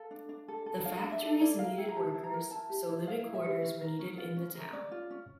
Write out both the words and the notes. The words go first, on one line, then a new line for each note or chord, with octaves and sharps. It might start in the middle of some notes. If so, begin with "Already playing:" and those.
The factories needed workers, so living quarters were needed in the town.
Already playing: A4 F5
D4
D4
A4
A4
D4 F5
D4
E5
A4
E4 D5
A#4 F5
E4 G5
A#5
G4 A5
E4
A#5
A#4
E4 A5
G4
E4
A#4 F5
E4
E5
G4
C#4
A#4
C#4
F4
C#4
A#4
C#4 D5
F4
C#4